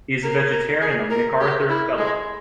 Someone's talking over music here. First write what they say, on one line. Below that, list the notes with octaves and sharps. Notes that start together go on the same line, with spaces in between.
He is a vegetarian and a MacArthur fellow.
A#4
A#4
G#4
A#4
G4
E4
G#3